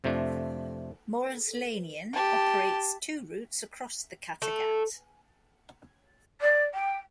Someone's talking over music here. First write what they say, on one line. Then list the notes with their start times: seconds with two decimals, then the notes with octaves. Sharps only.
Mols-Linien operates two routes across the Kattegat.
0.04 F2 C3 F3 A3 D4
2.13 G4 A5
4.42 A3
6.41 D5
6.74 G5